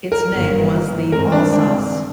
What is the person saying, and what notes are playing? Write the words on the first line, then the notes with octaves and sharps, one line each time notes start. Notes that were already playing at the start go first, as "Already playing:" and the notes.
Its name was the "Alsace".
A#4
G1 G2 D#3 A#3
G2 D#3 G#3 C4 A#4
D4
D4